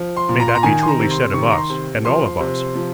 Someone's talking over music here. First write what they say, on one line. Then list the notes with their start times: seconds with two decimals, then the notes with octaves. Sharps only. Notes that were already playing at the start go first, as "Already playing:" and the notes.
May that be truly said of us, and all of us!
Already playing: F3
0.17 C6
0.29 A#2
0.40 A#5
0.48 C6
0.55 A#5
0.63 D#3 G#5
0.83 C6
0.88 A#5
0.99 C3
1.11 C6
1.34 D#3 C#6
1.50 A#5
1.58 C6
1.70 C3
2.04 F3 C6
2.40 C3
2.76 F3